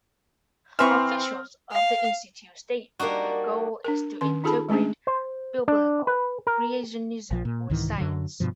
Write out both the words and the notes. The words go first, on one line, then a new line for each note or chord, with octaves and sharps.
Officials of the institute state their goal is to integrate Biblical creationism with science.
E3 C4 E5 C6 C#6 F6
F5
G3 A#3 D4 D#4 F#4
D4 A#4
D#3 C#4 C6
D#4 F4 G#4 A4 A5 B5
G#3 A3 C#4 D4 G#4
C5
D4
B4
A#4
A#1 F3
A#2
C2 G#2 D#3 E3
F#2 D3 F#3
G2 B2 F3